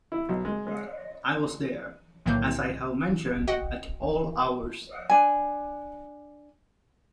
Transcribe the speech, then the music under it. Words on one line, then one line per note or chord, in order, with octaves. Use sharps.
I was there, as I have mentioned, at all hours.
E4
B1
G#3
G#3
B1 A2 D3 D#3 A#3 G6
F#4 D#5 F#5 G5
D4 G#5